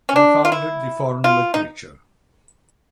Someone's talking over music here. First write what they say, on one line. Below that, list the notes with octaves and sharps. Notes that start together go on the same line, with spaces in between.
He founded the "Foreign Literature".
C#4
D4
F4
E4
F4
D#4